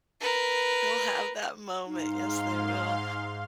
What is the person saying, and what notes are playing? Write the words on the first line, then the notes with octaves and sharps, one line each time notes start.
They'll have that moment, yes they will.
A#4 B4
G#2 D#4 F5 C6